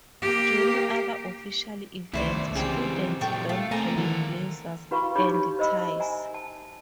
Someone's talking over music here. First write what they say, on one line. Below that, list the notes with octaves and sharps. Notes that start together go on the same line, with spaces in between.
During other official events, students don grey blazers and ties.
A#3 G4
C2 D#3 A3 E4 C5 D5
C#3 E3 C4 G4 G#4 C5 G5
A#2 F#3 G4 A4 G5 C#6
A3 F4
A3 A#3 C4 A4 G#5 A#5
D#3 E3 F#5
E4 F#4 B4 F5 B5 C#6
D#4 E4 G4 C#5 B5 D6
C5 D#5 B5 E6
E5 G#5 A#5
A5